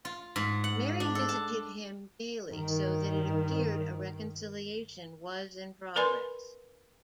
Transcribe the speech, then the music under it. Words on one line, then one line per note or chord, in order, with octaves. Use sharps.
Mary visited him daily, so that it appeared a reconciliation was in progress.
F4
G#2
F#5
D4
A4
A5
G2 D#3
A#4 B4 D5 G#5 B5 C6